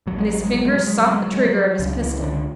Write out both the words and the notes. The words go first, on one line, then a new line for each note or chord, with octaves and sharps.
And his finger sought the trigger of his pistol.
A1 A2 F#3
G#3
F#3
G#3
F#3
G#3
F#3
G#3
F#3
G#3
F#3
G#3
F#3
C#2 C#3 F#3
E3
D3